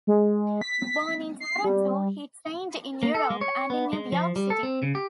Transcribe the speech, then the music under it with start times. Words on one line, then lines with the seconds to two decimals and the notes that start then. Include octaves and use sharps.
Born in Toronto, he trained in Europe and in New York City.
0.07 G#3
0.61 B6
1.40 C7
1.64 G3
3.03 A#3
3.14 A4
3.30 G#3
3.41 C#5
3.70 B3
3.93 G#3
4.12 F3
4.36 G3
4.50 A4
4.63 C4
4.83 C#3
4.95 G4